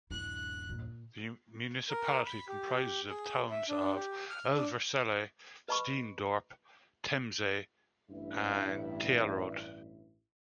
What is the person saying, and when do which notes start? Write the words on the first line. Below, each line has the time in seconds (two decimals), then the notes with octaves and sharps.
The municipality comprises the towns of Elversele, Steendorp, Temse and Tielrode.
0.11 D#1 G2 E4 F#6
0.69 A#2
1.90 A#4
2.26 B5
2.48 G4
3.09 G#4
3.51 E5
3.69 D4
3.95 G4
4.30 F6
4.55 D4
5.68 B4 D#5 A5 B5 C#6
8.09 A1 G2 E4